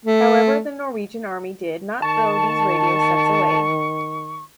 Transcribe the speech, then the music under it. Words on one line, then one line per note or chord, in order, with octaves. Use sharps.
However the Norwegian Army did not throw these radio sets away.
A3
D#3 A5 C#6